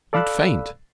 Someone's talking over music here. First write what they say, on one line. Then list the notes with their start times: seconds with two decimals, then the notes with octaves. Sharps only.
You'd faint.
0.13 A4 D5 F5 B5 E6 F#6